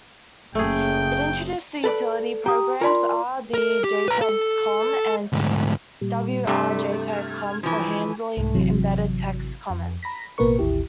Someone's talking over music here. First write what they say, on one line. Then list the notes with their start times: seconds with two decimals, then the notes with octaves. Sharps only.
It introduced the utility programs "rdjpgcom" and "wrjpgcom" for handling embedded text comments.
0.55 F#1 C#3 A3 G#4 G5
1.84 A4 B4 D5
2.46 G4 A#5 D#6
2.81 F4 A#4 D5 G#5 B5 C6
3.54 A#4
3.84 G4
4.08 B4 A#5
4.21 A4
5.33 D2 G#2
6.01 A#2 G3
6.47 G2 C3 A3 A4 D5 B5
7.13 F6 G#6
7.63 E3 F3 G#5
8.37 C2 G#2
8.55 G#1 C3 E3 F#3
9.70 F2
10.03 A#5 B5 A#6 B6
10.38 A1 B2 A#3 A#4 B4 C#6
10.59 A1 D#2 E4 G4